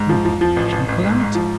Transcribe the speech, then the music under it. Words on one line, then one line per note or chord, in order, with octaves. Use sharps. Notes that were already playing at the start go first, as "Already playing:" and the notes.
It would be a national calamity.
Already playing: G#2
F3
F3
F3
A1
A1
A1
G#2
G#2
F3